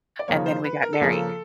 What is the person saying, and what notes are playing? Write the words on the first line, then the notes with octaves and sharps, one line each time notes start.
and then we got married.
D5
C#3 F3 A#3 C#5
C5
B4
A#4
A4
C#3 F3 A#3 G#4
A4